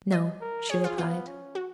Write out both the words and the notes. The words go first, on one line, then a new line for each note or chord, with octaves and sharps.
"No," she replied.
D#5
A#4
G#4 C#5
F4
B3 F4
C#4
F#4